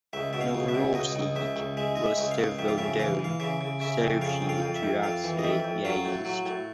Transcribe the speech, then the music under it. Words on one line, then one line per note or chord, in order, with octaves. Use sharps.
Novorossiysk, Rostov-on-Don, Sochi, Tuapse, Yeysk.
C#2 E5
B2 E5
F5
C#2
E5
B2
C#2 D#5
C#2
C#2 E5
C#2
G#3 E5
G#3 D#5
E5
C#2
F5
C#2
F2 E5
F5
C#3 E5
E3 F5
E3
F5
C#3 E5
C#3
C#3 E5
F2
C#3 F5
F2
F5
F2
E5
F2
F2 F5
E3
D#5
F2 E5
F2
F#3 F5
A2
F#3
A2